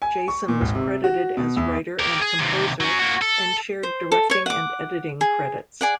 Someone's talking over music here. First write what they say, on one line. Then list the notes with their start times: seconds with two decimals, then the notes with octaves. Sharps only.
Jason was credited as writer and composer, and shared directing and editing credits.
0.02 G#5
0.28 C#6
0.48 A#2
0.61 G#1
0.75 C3
1.04 F#4
1.37 B2
1.56 E2
2.00 G4 A#4
2.22 G#4
2.39 D#2 C3
2.80 F#3 C#4
2.99 A#3 F#4
3.21 A4
3.83 C5
4.12 A4
4.30 C#5 C#6
4.46 F#5 D6
5.21 G#4
5.81 G#4 D5 F#5